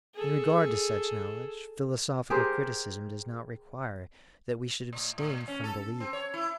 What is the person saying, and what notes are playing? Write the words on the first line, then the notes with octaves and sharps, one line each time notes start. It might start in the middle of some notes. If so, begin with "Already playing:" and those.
In regard to such knowledge, philosophical criticism does not require that we should abstain from belief.
G#4 A4
G4 G#4 A#4 C5
A2
A2
C#4
A4
C4
C#5
E4